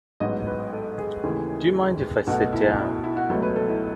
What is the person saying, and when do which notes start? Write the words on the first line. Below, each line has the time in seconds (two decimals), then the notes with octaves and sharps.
Do you mind if I sit down?
0.20 A1 G#2 F#3 B3 D#5
0.47 B4
0.73 A4
0.98 G#4
1.23 D#2 C#3 E3 A3
2.27 B1 B2 A3 F#4
2.53 E4
2.79 E4
3.04 E4
3.17 F#4
3.30 C#2 B2 F#3 A3 A4
3.42 B4
3.56 A4
3.68 E4